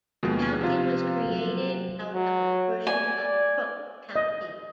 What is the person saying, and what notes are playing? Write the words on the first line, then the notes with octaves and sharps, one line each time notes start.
The county was created out of a portion of Crook County.
D#2 B2 F3 G#3
C3 F4
F#3
F#3
D5 G#5
D#5